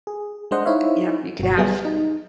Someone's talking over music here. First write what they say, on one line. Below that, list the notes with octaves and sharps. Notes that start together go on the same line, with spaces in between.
yep, you could have
G#4
G#3 D4 C5 D#5 F#5
D#4 E4 C5 C#5 E5 F5
G1 B2 F#4
F#3 G3 B3 G#4
D#4